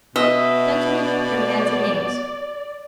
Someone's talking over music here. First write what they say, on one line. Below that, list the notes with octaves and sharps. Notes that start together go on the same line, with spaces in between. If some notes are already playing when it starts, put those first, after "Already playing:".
Gentlemen, your hands and names.
B2 D#5 E5
D5